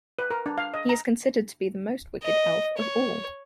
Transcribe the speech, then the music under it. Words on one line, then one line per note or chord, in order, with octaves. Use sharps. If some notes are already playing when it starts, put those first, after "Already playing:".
He is considered to be the most wicked elf of all.
B4
A#4
D4
F5
D#5
A#5
D#5
C#5